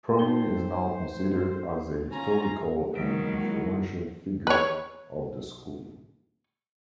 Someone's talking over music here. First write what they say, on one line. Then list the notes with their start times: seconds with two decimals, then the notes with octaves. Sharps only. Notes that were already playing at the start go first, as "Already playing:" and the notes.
Prony is now considered as a historical and influential figure of the school.
0.19 D#4 C5 G5 G7
2.11 C#4 F4 G#5 A#5
2.95 G#2 B2 D#3 E3 F#3 A#3 B6 D7
3.44 D#4 E4
4.47 B4 C#5